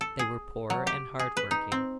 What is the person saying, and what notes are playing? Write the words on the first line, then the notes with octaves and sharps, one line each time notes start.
They were poor and hard-working.
A4
G#4
F#3
G4
G#4
B4
D#4
C4